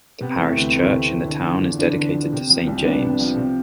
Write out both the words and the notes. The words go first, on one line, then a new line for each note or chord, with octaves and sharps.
The parish church in the town is dedicated to Saint James.
C3 B3
E3 A3
D2 B3
D2 A3 C4
C3
E3
D3
F3
E2
E2 B3 D4
D3
F3
C3
F3
C2
C2 B3 D4
C3
F3
C3